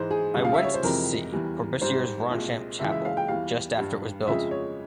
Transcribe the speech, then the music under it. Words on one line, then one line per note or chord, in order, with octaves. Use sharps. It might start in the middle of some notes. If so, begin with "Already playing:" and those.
I went to see Corbusier's Ronchamp chapel just after it was built.
Already playing: G#2 E3 G#3 C5
G#4
C#2 C#3 G3
F5
E5
C#5
C5
F2 C3 E3 G#3 A#4
E2 E3 G3
G#2 G3 C5
C2 A#2 G#3
C#2 C#3 E3 G#3 E5
E5
F5
G5
E2 E3 G3 F5
G2 G3
F2 C#3 F3 G#3 E5
C#5